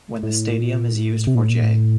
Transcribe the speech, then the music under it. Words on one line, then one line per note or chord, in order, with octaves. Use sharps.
When the stadium is used for J.
A2
A#2
A2
C3
A#2
A2
A#2
A2